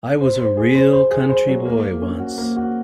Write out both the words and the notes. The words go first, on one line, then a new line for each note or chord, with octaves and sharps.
I was a real country boy, once.
C5
C5
G#4
C5
C5
G#4
C5
F#3
A#3
A#3
C#4
F#4
A#3
F#4